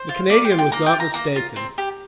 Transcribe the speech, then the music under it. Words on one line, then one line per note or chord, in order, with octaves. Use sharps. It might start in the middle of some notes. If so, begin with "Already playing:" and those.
The Canadian was not mistaken.
Already playing: C5
F4
A#3 D5
G5
F4
G5
A#3 A#5
G5
F4
A#5
A#3 A#5
F4
C4
G4